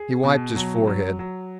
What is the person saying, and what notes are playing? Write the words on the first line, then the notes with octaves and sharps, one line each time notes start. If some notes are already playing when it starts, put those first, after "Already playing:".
He wiped his forehead.
Already playing: G#4
B2
F#3
F#3
F#3